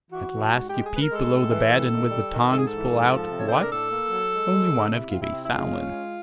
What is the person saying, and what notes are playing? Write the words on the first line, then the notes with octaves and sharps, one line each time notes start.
At last you peep below the bed, and with the tongs pull out--what?--only one of Gibbey's salmon.
E3 F#4
E3
G#2
G#3 G4
G#3 G#4
B4
A#4
G#3 A4
A2
E3
A2
D#3
G3
D#3
G#2 A4
G#4
A4
E3
G#2
F3
C3
C#5
C5
D4 B4
A#4
A2 A4
A#3
F#3
G#3
G#3
C#3
D#4
C3 E4
C3 F4
E4
C3
E4
G#3 F4
C#4
G#3